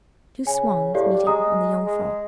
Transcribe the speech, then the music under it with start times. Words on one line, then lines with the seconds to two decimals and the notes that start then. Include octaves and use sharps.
Two swans meeting on the Jungfrau.
0.47 C#3 G#5
0.94 A2 G4 D5 F5
1.12 G3
1.27 G#3 A#5 D#6
1.86 G#3